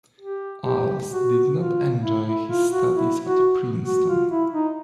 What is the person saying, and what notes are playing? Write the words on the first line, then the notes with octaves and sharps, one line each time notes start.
Alves did not enjoy his studies at Princeton.
G4
G4
F#4
F4
E4
E4
F4
F#4
E4
F#4
F#4
F4
E4
D#4